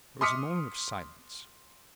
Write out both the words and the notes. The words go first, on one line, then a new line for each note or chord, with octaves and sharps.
There was a moment of silence.
C6 D6 D#6 F6 B6 C#7